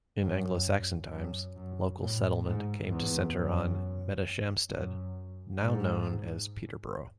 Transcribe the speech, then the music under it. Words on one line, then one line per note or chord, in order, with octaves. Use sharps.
In Anglo-Saxon times, local settlement came to centre on Medeshamstede, now known as Peterborough.
F#2
F#2
F#2
A2
G#2
E2
F#2
F#2
G#2